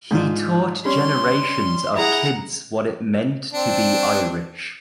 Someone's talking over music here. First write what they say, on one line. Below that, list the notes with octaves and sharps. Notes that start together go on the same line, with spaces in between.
He taught generations of kids what it meant to be Irish.
G#2 D4 F4
G3 C#4 C6
E4 G#4 F#5 A#5
C4 D4